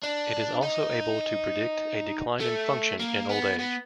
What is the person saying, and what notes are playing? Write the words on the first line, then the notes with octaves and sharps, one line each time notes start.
It is also able to predict a decline in function in old age.
D4
D#4
A3
A#3
B3
B3